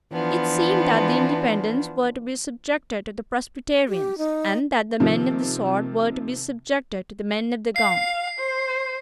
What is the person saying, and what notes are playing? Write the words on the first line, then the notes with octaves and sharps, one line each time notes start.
It seemed that the Independents were to be subjected to the Presbyterians, and that the men of the sword were to be subjected to the men of the gown.
E3 F3 B3 D4
G4
D#4
C3 D#3 F3
F5 C7
C5